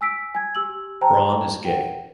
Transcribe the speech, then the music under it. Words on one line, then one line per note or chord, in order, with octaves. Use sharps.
Braun is gay.
G#5 E6 B6 D7
G#5 G#6
G4 E6 F#7
C5 G5 A5 A#5
F#5 G5